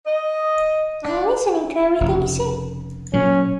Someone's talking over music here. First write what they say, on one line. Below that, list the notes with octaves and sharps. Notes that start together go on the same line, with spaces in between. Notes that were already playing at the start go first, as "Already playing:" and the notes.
I am listening to everything you say.
D#5
D4
F1 C#3
A#2 F#3 C#4